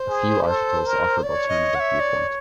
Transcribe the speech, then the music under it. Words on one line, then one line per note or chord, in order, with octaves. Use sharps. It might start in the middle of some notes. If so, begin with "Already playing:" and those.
A few articles offered alternative viewpoint.
Already playing: C5
G#4
A4
A#4
C#5 D5
D#5
F#5
E5
D5